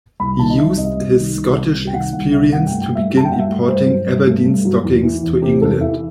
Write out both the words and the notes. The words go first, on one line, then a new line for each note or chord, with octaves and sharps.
He used his Scottish experience to begin importing Aberdeen stockings to England.
C2 B5
D#3 A5
D#5
C2 E5
C3 D#5
C2
D#3
C2
C3
C2
G5
D#3 F#5
C2 F#5
C3 E5
G2 F#5
A3 G5
G5
G2
E5
F#3
A5
G5
G2 F#5
E5
A3
G2 C5
F#3
G2
A3
G2
F#3
E2
E3
E2
C3 G4
E2 A4
E3 E5